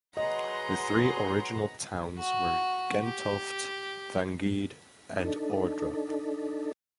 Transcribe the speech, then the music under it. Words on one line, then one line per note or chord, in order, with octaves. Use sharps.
The three original towns were Gentofte, Vangede and Ordrup.
F#3 G#4 B4 D#5 F#5 A#5 C6
F#4
G4
D4 D#4 A4